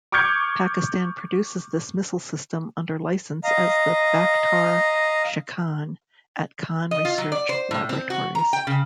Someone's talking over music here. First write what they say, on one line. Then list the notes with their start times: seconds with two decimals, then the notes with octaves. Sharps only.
Pakistan produces this missile system under licence as the Baktar-Shikan at Khan Research Laboratories.
0.12 C#6 D6 F6 G6 G#6 C#7
3.44 D#5 F5 A#5
6.91 D#5
7.05 F4
7.18 F#3
7.32 D5
7.49 C5
7.71 A2
7.89 C4
8.10 F#4
8.35 A#5
8.53 G5
8.67 C#3